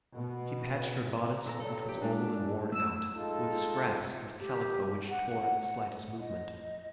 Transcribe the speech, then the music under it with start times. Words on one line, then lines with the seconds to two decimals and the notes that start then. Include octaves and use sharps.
She patched her bodice, which was old and worn out, with scraps of calico which tore at the slightest movement.
0.13 B2
1.46 A#2 A4 A#5
1.60 G2 F#3 A4
1.89 G4
2.02 A2 G#3 D4
2.72 A3 E6
3.15 G#3 D#4 F4 A4
4.40 G4
5.10 F#5
6.20 D#5